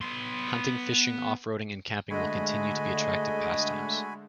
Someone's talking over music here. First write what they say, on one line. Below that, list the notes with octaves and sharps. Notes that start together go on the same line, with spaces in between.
Hunting, fishing, off-roading, and camping will continue to be attractive pastimes.
B3 C6
D3 G#3 A3 F#4 D#5 G#5 B5